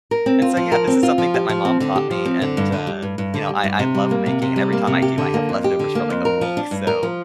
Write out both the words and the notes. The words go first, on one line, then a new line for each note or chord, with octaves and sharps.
And so, yeah, this is something that my mom taught me and, uh, you know, I I love making. And every time I do, I have leftovers for, like, a week. So,
A#4
C4
F4
F3
A#4
C4
F4
F3
G4
F3
C4
D3
G4
F3
C4
D3
G2
D3
G3
G2
G2
D3
G3
G2
C3
G3
A#3
C3
C3
G3
A#3
C3
G4
D3
A#3
F2
G4
D3
A#3
F2
A#4
F3
D4
G2
A#4
F3